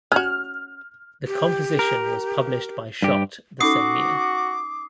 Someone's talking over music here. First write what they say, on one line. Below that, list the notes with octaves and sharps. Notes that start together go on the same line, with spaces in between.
The composition was published by Schott the same year.
C#4 F#4 F6
G4
A#4
G2 G4
C#4 D#4 F#4 A4 D6 D#6 C7